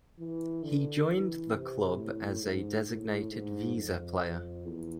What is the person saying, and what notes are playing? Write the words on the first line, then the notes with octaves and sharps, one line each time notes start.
He joined the club as a designated visa player.
E3
D3
E3
C3
A2
G#2
A2
G#2
F2
E2